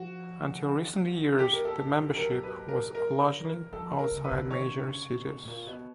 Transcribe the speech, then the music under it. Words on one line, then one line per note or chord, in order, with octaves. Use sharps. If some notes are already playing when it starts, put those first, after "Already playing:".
Until recent years the membership was largely outside major cities.
Already playing: F3 F#4
G4
A#4
A4
F#3 A#4
B4
A#4
A#4
F3 A4
C3
A#4
C#3
B4
D3
D#3 C#5
D3
C#3
C3
B2
A2
A#2
B2